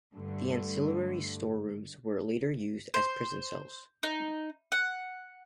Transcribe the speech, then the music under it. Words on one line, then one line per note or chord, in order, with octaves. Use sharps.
The ancillary storerooms were later used as prison cells.
G2 D3 A3
C5
D#4
F#5